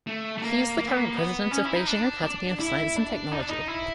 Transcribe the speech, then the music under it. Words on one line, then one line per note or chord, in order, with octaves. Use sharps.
He is the current President of Beijing Academy of Science and Technology.
A3
A3
A#3
A#3
B3
A#3
B3
C#4
E4
D#4
D4
D4
E4
D4
D#4
D4
D#4
E4